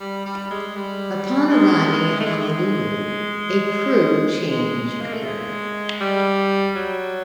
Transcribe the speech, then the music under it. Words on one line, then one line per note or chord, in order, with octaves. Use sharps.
Upon arriving at Honolulu, a crew change occurred.
G3
G3
G#3
G3
G#3
A3
G#3
G#3
A#3
A3
G#3
G3
F#3